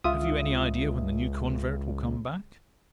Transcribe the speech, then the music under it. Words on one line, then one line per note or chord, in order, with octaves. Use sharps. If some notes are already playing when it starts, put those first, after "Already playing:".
Have you any idea when the new convert will come back?
C#2 F4 E5 D#6